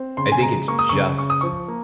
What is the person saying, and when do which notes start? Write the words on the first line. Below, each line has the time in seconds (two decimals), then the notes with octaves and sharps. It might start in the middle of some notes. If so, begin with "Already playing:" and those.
I think it's just
Already playing: C4
0.17 C#3 C6
0.32 G#5
0.42 G#3 A#5
0.68 A#3 C#6
0.79 D#6
0.89 C#3 C#6
1.18 C#3 C#6
1.30 D#6
1.41 F3 C#6
1.68 A#3